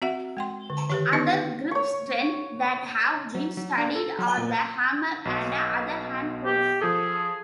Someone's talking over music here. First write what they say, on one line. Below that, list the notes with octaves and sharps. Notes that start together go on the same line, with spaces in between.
Other grip strengths that have been studied are the hammer and other hand tools.
C4 F#4 E5 F#5
G#3 G5 C6
D3
D#3 G4 B4
B3 D4 D#4 B4 D#5
B4
C#5 C#6
F#3
F#3
D4
A4
F#3
A#2
B1 B2
G4
F3 G#4 A4